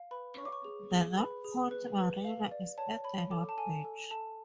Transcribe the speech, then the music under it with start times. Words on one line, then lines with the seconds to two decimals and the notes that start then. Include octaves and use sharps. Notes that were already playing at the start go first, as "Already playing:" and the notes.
The North Point Marina is at the north beach.
Already playing: F5
0.11 B4 B5
0.38 C#5 C#6
0.45 D6
0.52 C#6
0.65 G#4
0.91 G#4
1.18 B4 B5
1.44 G#4
1.71 B4
1.98 B4
2.24 F5
2.52 D5
2.78 C#5 A5
3.04 C#5 B5
3.31 A4 D6
3.49 A5
3.57 A4 G#5
3.85 A4
4.11 A4 A5